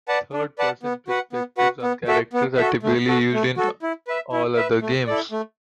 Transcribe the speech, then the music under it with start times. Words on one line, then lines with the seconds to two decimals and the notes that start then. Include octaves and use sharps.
Third-person perspectives on characters are typically used in all other games.
0.08 B4 D5 F#5 A5
0.33 D4
0.59 B4 D5 F#5 A5
0.83 B3
1.08 F#4 B4 F#5
1.33 B3
1.58 F#4 B4 F#5
1.82 B3
2.07 F#4 A4 E5
2.33 B3
2.57 F#4 A4 E5
2.83 A3
3.08 F#4 A4
3.33 A3
3.57 F#4 A4
3.82 E4
4.08 B4 E5
4.33 E4
4.57 B4 E5
4.82 A3
5.07 E4 A4 D5
5.31 A3